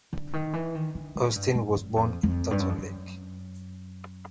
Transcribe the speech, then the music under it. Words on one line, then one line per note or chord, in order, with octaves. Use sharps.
Austen was born in Turtle Lake.
D3
D#3
E3
D#3
D3
G#2
G2
F#2
F#2
F2
F2
G2
F#2
F2
F#2